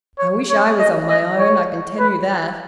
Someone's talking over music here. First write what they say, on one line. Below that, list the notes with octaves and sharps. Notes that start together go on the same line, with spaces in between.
"I wish I was on my own, I can tell you that."
C#5
C#5
D#5
D#5
C#5
B4